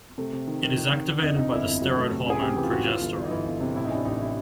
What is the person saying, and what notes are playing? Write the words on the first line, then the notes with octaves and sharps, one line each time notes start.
It is activated by the steroid hormone progesterone.
C3 A3
C3
D#3
D#3
D#3
D#3
D3
F2 D#4
F2 D#4
G1 E4
F2
F#3
A3
C3
C#2 G#4
C3 G4
E3 G4
F4
E3 F#4
E3 F4
G1
G1
D#4
E3 E4
G1
C3
A2 E4
D#4
A1 D4
A1 D#4
E4